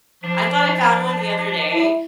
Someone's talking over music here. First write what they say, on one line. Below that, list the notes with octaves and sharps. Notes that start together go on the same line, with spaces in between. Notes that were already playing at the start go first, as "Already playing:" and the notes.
I thought I found one the other day,
F3 D4
E4